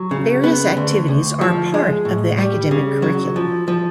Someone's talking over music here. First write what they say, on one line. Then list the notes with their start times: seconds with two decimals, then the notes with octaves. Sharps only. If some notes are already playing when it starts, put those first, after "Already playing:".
Various activities are part of the academic curriculum.
Already playing: F#3
0.11 C#3
0.44 B3
0.77 D2
1.08 D2
1.41 F3
1.74 G#3
2.05 A2
2.38 G3
2.71 C#3
3.02 F#3
3.36 F3
3.68 F3